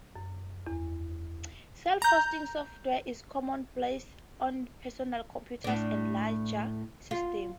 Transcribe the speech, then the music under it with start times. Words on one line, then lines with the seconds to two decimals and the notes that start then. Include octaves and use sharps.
Self-hosting software is commonplace on personal computers and larger systems.
0.16 F#2
0.67 E2
2.02 A#5 G6
5.64 A2 D4
7.11 F4